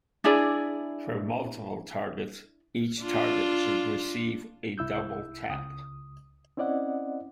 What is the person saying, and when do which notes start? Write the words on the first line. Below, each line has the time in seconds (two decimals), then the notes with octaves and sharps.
For multiple targets, each target should receive a double tap.
0.24 D4 E4 G#4 D5
3.02 D4 F4
4.78 C2 E4 E6 G6
5.49 C#2 D#6
6.57 C4 C#4 E4 D5 D#5 F#5